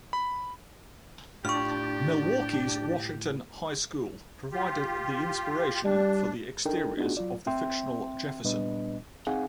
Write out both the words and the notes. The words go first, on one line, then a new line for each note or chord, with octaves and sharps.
Milwaukee's Washington High School provided the inspiration for the exteriors of the fictional Jefferson.
B5
A2 D4 F4 G4 C#6 F6
F4 G4
G3 D4
D4 D#4 A4 A#4 G5
B3 D4 D#4 F4 F#4 G#4
F#3 F4 D5
C4 E5 G5 C6
A#2 G3 B3 D4 B4 D#5
C4 D#4 G#4 F5 F#5 G#5